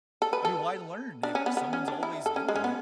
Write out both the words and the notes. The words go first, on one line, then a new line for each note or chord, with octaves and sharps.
I mean, why learn if someone's always doing it?
A4
B4
A4
D4
C#4
B3
B3
C#4
D4
E4
A4
C#4
G#3
C#4
B3